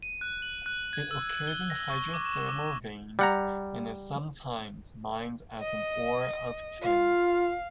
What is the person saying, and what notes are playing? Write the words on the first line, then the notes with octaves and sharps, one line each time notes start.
It occurs in hydrothermal veins and is sometimes mined as an ore of tin.
D#7
F#6
F#7
F#6
G#6
E6
G7
A#6
C#6
D6
E7
D6
G3 F#5 A#5
D#5
F4 F5